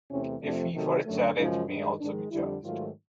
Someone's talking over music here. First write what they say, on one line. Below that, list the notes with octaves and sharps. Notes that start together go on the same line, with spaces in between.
A fee for a challenge may also be charged.
E2 C3 E3 A3 C#4
F2 C3 F3 A3 D4
C3 D#3 F#3 A3
F#2 D3 F#3 A3
F#2 C#3 F3 G#3 D#4
G2 D#3 G#3 D4
G#2 D#3 G#3 D4
F2 D3 G3 E4
G#2 D#3 F#3 A3 F4